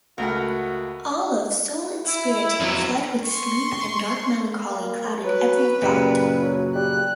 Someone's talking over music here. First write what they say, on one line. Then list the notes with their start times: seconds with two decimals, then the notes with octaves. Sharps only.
All of soul-inspiriting fled with sleep, and dark melancholy clouded every thought.
0.18 C#2 A3 F#4 A#4 F#5 B5
2.05 E4
2.60 F2 F#3
3.24 C6 C#6
4.70 A#3
5.25 F#3 B4
5.82 F#2 A#2 C#3 G3
6.41 F#3
6.75 G3 F#6